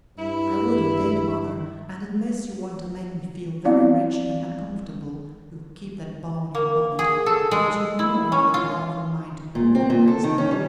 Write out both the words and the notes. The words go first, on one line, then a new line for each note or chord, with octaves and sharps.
'I would, indeed, mother, and unless you want to make me feel very wretched and uncomfortable, you'll keep that bow on your bonnet, which you'd more than half a mind to pull off last week.
G2 E4
B3 C4 E4 D5 F5
A#3
G#4
A4
G#3
E4
C#4
F4
A#2
C4
A#2
A4
D#3
C#4
G3